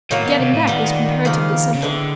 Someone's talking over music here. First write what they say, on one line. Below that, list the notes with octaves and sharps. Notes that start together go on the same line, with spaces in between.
Getting back was comparatively simple.
A2 D#3 F#3 A#3
B2
C3
A2
A#2 D#3 G3 B3
C#3 F3 A#3
C#3
A2 D3 E3 G#3